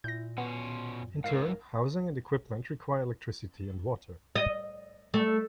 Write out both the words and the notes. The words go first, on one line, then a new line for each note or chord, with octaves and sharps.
In turn, housing and equipment require electricity and water.
A#2 E4 G6 A#6
B2 B3 C#4 C6
F#2
G#2 E3 A#4 F5 C7
D#5
A3